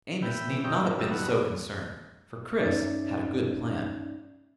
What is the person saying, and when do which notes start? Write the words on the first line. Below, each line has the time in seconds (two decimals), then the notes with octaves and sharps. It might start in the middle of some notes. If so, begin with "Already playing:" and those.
Amos need not have been so concerned, for Chris had a good plan.
0.22 B4 E5 G5
0.50 E3
0.64 F2 D#4 E4 G4 C#5 G5
0.79 G2 A#2
0.99 F#2 D#3 G3 E5 F5 E6
1.11 G2 D3 F#3 B3 F#4
2.60 G2 C#4 D#4 D5 E5 A6